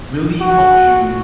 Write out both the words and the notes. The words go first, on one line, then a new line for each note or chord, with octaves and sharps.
really helps you
F#4